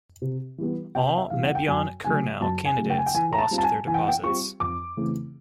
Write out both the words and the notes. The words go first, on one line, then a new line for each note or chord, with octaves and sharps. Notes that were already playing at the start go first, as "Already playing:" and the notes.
All Mebyon Kernow candidates lost their deposits.
C3
E3 G3 B3
C3 G5
E5
E3 G3 B3 F5
F#5
G5
F#2 G#5
C#3 F#3 A3 G#5
F#2 A5
G#5
C#3 F#3 A3
G5
G#5
G5
E3 G#5
A#5
A5
G3 C4 F4
A5
G#5
E3 G#5
G5
F#5
G5
G3 C4 F4 C#6
F2 D6
C#3 E3 A3 C4